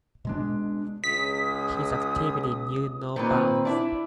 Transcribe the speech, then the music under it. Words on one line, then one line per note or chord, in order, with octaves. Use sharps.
His activity knew no bounds.
B2 G#3 D4
C#2 D#6 B6
A#2 D#3 C4 B4
D4 E4